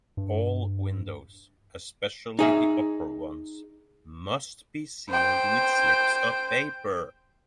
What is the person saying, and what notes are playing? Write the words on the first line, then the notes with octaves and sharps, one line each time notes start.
All windows, especially the upper ones, must be sealed with slips of paper.
G2
D#4 G#4 E5
C5 G5